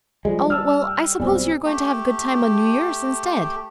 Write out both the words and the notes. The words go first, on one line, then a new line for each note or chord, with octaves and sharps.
"Oh, well, I suppose you are going to have a good time on New Year's instead."
F3 G3 G#3
G3 A5 E6 F6
G5
B1 G3 C4
A3 G4